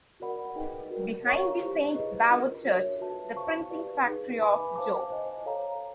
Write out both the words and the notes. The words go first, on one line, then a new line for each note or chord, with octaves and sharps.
Behind the Saint Bavochurch the printing factory of Joh.
F#4 A#4 D5 F#5 B5
D#4 G#4 B4 D#5 G5
F#4 A#4 D5
C#5 F5 A#5 C#6
E4 G4 C5
G#4 B4 D#5
D4 F4 A#4
F#4 A4 C#5 E5
F#4 B4 E5 A5
C5 F5 A5 C#6
G4 B4 D5 F5
D#4 G#4 B4
B4 E5 G#5 B5 D6
C5 F5 A5 D6
C5 D#5 G#5
A4 C#5 F5 A#5